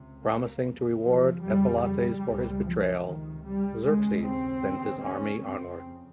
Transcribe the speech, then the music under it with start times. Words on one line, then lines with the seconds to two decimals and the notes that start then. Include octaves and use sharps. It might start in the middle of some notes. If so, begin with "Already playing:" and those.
Promising to reward Ephialtes for his betrayal, Xerxes sends his army onward.
Already playing: C#2 C3
0.21 A#3
0.61 F2 C#3
1.01 F3
1.42 F2 C#3 G3
1.82 G3
2.22 C#2 C3
2.63 F3
3.03 C#2 C3 D#3
3.43 G3
3.84 D#2 C#3 G#3
4.24 C4
4.64 D#2 C#3
5.04 C#4
5.45 F2 C#3 C4